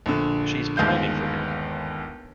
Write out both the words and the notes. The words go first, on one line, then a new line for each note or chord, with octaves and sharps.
She's pining for him.
A#1 D3
G1 D#2 G#3 F5 G6